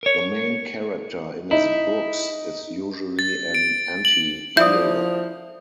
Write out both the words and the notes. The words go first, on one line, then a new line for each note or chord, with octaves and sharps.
The main character in his books is usually an anti-hero.
A#4 C#5
D#4 E4
A6
D7
F#7
F3 E4 D5 E5 D#6 G6